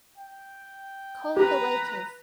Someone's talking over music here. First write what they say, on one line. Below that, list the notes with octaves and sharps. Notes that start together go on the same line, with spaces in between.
Call the waiters!
G5
G4 B4 A#5